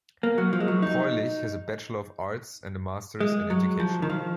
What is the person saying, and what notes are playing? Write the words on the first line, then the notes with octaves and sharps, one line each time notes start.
Peulich has a Bachelor of Arts and a Masters in Education.
A#3
F#3
F3
G#3
F#3
D#4
G#3
F#3
F3
D#3
F3